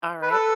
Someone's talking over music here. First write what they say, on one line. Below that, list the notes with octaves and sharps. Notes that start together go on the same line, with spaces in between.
All right.
B4
A4